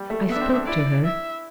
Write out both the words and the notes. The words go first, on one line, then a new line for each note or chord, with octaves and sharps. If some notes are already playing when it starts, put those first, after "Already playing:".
I spoke to her.
Already playing: G3
A3
B3 E5
D4
C4
D4
E4 D5
E5